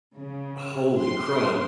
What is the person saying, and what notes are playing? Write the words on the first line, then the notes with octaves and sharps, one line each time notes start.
"Holy crud,
C#3
C6